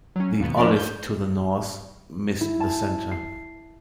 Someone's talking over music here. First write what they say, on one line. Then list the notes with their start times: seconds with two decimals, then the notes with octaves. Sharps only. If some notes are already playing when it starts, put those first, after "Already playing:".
The" Olive" to the north missed the centre.
0.16 F#3 C#4
0.40 D#2 B2 B3
0.57 F3 D4 A#4 B4 D5
0.76 G6
2.41 E4
2.60 A5
3.11 C7